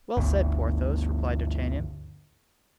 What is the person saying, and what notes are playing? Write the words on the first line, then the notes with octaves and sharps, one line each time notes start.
"Well said, Porthos," replied D'Artagnan.
G1 D2